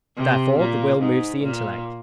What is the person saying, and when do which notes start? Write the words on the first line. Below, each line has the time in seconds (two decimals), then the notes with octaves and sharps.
Therefore the will moves the intellect.
0.17 C3
0.59 A#2
1.00 G#2
1.42 A#2